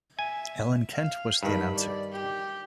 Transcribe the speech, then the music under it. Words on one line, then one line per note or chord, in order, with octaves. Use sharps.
Alan Kent was the announcer.
E5 G#5
F5
G2 D#3 B5
D5
G4